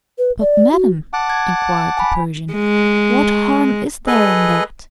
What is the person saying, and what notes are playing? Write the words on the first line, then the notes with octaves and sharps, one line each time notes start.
"But, madam," inquired the Persian, "what harm is there in that?"
B4
D5
F#4
F#5 A5 D6
G#6
G#5 B5
G#3
G#4 A4 B4 D#5